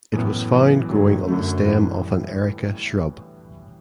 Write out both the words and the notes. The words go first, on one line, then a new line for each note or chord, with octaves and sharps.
It was found growing on the stem of an "Erica" shrub.
F#2 A2 E3 B3
F#2 E3 B3
G2 D3 F#3 A3
F#2 D3 F#3 A3
A2 E3 G3